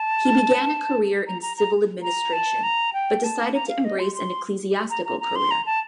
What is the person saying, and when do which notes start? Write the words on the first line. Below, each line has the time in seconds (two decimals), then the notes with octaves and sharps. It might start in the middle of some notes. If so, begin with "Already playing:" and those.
He began a career in civil administration, but decided to embrace an ecclesiastical career.
Already playing: A5
1.27 A#5
1.42 A#5
1.57 A#5
2.03 A#5
2.33 A5
2.63 A#5
2.94 G5
3.24 A5
3.54 A#5
3.69 F5
3.85 D#5
3.99 C6
4.15 C6
4.90 A#5
5.05 A#5
5.20 A#5
5.36 C6
5.51 A#5
5.66 A5